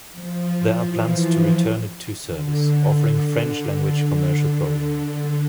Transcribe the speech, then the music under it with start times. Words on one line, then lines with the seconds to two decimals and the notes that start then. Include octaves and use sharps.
There are plans to return it to service, offering French-language commercial programming.
0.12 F3
0.82 E3
2.22 D3